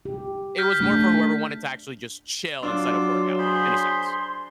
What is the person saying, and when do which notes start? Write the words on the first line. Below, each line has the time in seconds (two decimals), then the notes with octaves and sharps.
It was more for whoever wanted to actually just chill instead of workout, in a sense.
0.05 G4
0.58 F6 G6 B6
0.80 A3 D4
2.63 F#3 D4 F4 C6 D6 E6
3.39 G#4 C5 B5